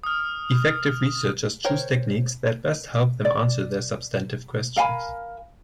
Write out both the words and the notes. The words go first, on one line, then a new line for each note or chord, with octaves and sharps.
Effective researchers choose techniques that best help them answer their substantive questions.
D#6 F6
A#4 C5 C#5 G5
D5
A#4 F5 G#5 B5